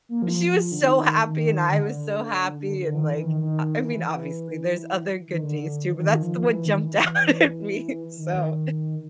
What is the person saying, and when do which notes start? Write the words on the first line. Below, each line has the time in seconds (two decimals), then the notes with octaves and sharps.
she was so happy, and I was so happy, and, like, I I mean, obviously, there's other good days too, but that's the one jumped out at me, so,
0.09 A#3
0.22 F3
0.72 D3
0.80 D#3
1.24 D#3
1.67 D3
2.87 D3
2.96 D#3
3.12 E3
3.26 D#3
3.40 D#3
3.78 D#3
3.83 E3
4.06 E3
5.27 D#3
5.43 D3
5.90 E3
6.00 D#3
6.22 F3
6.44 E3
6.65 D#3
6.87 E3
8.17 D#3